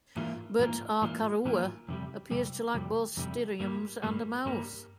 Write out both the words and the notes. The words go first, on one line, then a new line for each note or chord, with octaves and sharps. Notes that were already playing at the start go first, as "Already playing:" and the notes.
But "Arkarua" appears to lack both stereoms and a mouth.
G#2 E3 A#3 F4
G#2 E3 A#3 F4
G#2 E3 A#3 F4
G#2 E3 A#3 F4
F2 C3 G3
F2 C3 G3
F2 C3 G3
F2 C3 G3
G2 G3 A#3
G2 G3 A#3
G2 G3 A#3